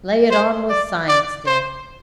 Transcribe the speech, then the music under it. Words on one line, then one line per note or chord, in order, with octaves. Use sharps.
'Lay it on with science, then.
C5
D5
D5
C5